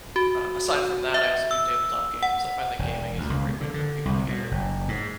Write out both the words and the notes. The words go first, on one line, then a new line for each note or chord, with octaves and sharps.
uh, aside from that, I also do tabletop games. I find that gaming is a great way to bring people together.
F#4
E5
E6
F#5
E1
D2
C#2
B2
D3
D3
C2
B2
F#1
G#2